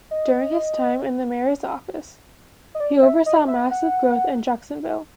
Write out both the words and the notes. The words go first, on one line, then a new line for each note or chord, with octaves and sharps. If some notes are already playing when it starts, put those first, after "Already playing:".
During his time in the mayor's office, he oversaw massive growth in Jacksonville.
D#5
D#5
D5
E5
D#5
E5
F#5